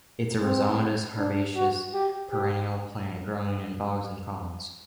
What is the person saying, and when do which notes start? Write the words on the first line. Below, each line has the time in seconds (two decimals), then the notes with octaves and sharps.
It is a rhizomatous herbaceous perennial plant growing in bogs and ponds.
0.42 C4
1.17 D4
1.56 F#4
1.94 G4
2.31 G4